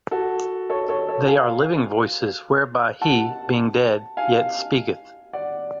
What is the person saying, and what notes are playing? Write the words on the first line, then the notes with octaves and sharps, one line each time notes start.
They are living voices whereby he, being dead, yet speaketh!
F#4 A4
A4 C#5
A4 C#5
A4 C#5
F5 G#5
F#5 A5
F5 G#5
D5 F#5